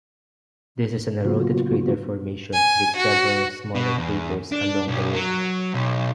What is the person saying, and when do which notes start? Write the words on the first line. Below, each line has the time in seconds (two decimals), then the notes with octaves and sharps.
This is an eroded crater formation with several smaller craters along the rim.
1.25 C#3 F#3 A#3 B3 F4 F#4
2.53 G#5
2.97 F#4
3.75 B2
3.98 E2
4.52 D4
4.88 B1
5.14 F#3
5.74 B1